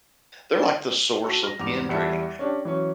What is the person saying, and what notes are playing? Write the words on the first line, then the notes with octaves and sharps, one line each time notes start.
they're like the source of pin trading.
F#4 A4
F6 A#6
E2 G#2 G3 D6 F7
E2 G3 E5 A5 C#7
C#4 D4 G4
E3 F#3 C#4